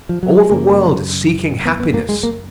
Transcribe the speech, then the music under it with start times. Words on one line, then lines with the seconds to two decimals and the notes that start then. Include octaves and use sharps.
All the world is seeking happiness.
0.09 F3
0.23 F#3
0.36 G#3
0.50 F#2 C#3 A#3
1.65 B3
1.80 B3
1.94 A#3
2.09 G#3
2.23 A#3